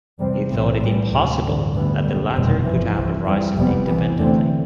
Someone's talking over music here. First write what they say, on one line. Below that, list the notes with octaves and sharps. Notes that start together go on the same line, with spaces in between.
He thought it impossible that the latter could have arisen independently.
E2 C3 G3 C4
B1 A2 E3 A3 C4
A1 A2 E3 G3
D2 C3 E3 G3
A1 G2 D3
D2 D3 G3 B3
B1 B2 G3
F1 E2 B2 G3 C4
G1 F2 E3
C2 C3 E3
F2 E3 G3
F1 E2 C3 G3 B3
C2 C3 E3 B3
E2 D3 A3 C4